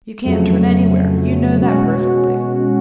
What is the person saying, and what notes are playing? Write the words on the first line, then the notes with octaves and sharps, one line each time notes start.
You can't turn anywhere; you know that perfectly.
F2 C#3 F#3 A3
B2 G#3 C#4 F#4